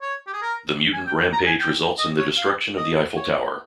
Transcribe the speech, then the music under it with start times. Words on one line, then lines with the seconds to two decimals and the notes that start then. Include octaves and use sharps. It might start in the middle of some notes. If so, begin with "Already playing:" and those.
The mutant rampage results in the destruction of the Eiffel Tower.
0.02 C#5
0.27 G4
0.33 G#4
0.42 A#4
0.93 G#5
1.07 G5
1.21 G5
1.33 A#5
1.46 G#5
1.60 G5
1.99 D#5
2.19 C#5
2.38 F5
2.77 D#5
3.17 C#5